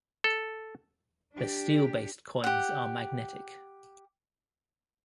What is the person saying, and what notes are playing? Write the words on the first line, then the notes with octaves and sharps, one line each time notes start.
The steel-based coins are magnetic.
A4
D4 G4
G4 F#5